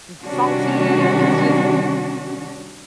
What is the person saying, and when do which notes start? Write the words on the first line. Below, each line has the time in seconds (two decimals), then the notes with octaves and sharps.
salty." It's just
0.24 C3 D#3 G3 C#4 D4 F#4